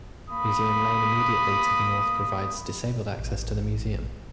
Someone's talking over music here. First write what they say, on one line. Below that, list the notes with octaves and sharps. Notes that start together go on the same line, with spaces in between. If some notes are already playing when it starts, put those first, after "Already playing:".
Museum Lane immediately to the north provides disabled access to the museum.
A#3 B5 D#6
A1